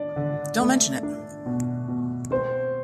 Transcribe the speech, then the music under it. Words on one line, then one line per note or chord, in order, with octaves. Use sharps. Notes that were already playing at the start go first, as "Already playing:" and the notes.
Don't mention it.
Already playing: D4 D5
D3
A3
D4
B2
B2
C4 C5